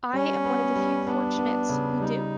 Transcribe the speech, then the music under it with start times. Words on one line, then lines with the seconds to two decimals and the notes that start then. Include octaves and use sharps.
I am one of the few fortunates who do.
0.13 G3 C#4
0.45 B3
0.75 G3
1.06 B3 D4
1.38 B3
1.69 C#3
2.00 G3 D#4